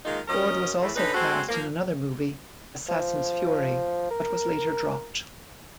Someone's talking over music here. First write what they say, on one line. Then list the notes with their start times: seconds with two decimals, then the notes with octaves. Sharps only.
Ford was also cast in another movie, "Assassin's Fury", but was later dropped.
0.06 D#3 G#3 A#3 D#4 F4
0.28 F#2 F#3 C#4 A#4 D#5
0.83 E2 A2
0.96 D3 C#4 D#4 B4
1.14 G#3 C4 F#4 A4 C5
1.49 F3 A#3
2.89 F3
4.11 A#4